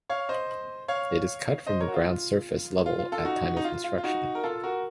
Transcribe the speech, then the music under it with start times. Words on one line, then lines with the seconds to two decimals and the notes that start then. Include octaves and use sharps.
It is cut from the ground surface level at time of construction.
0.10 C#5 F5
0.29 C5 D#5
0.88 C#5 F5
1.67 C5 D#5
1.81 A#4 C#5
1.88 F#4
1.94 F4
2.86 F4
2.99 F4
3.12 F4 A4
3.25 D#4 F#4
3.57 D#4
3.64 F4
3.84 F4
3.98 F4
4.04 D#4 F#4
4.35 A#4
4.43 F4 A4
4.63 F#4 A#4